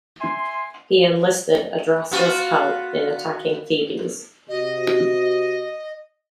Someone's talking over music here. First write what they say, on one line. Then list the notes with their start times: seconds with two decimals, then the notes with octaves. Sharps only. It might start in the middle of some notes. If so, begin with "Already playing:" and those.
He enlisted Adrastus' help in attacking Thebes.
0.20 E5 G#5 C6
2.11 B3 F4 F#4
4.49 C3 F#4 D#5